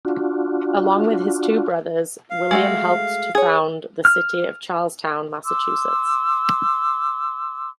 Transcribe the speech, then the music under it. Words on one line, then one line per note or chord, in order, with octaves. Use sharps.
Along with his two brothers, William helped to found the city of Charlestown, Massachusetts.
D4 F4 F#4
F5
G#3 A3 F#4
G#4 C#5
F6
C6 D6 E6